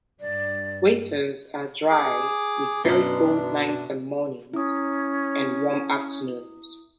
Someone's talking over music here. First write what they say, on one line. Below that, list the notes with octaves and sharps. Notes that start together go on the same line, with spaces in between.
Winters are dry with very cold nights and mornings, and warm afternoons.
G2 D5
G#4 D6
F#2 B2 D4 C6
C#4 E4 D#6